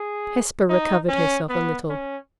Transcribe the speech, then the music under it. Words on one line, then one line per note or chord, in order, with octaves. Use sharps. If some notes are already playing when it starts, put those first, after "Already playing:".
Hesper recovered herself a little.
Already playing: G#4
D#4
C#4
B3
C#4